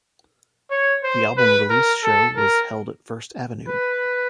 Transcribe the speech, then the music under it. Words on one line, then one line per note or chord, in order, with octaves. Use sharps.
The album release show was held at First Avenue.
C#5
C5
B4
A#4
A4
A#4
B4